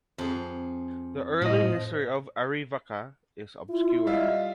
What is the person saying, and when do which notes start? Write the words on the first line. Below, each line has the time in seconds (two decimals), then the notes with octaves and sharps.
The early history of Arivaca is obscure.
0.18 F2 G#4
1.42 A2 F3 D#5
3.70 E4 F4
4.06 G3 F4 D#5 E5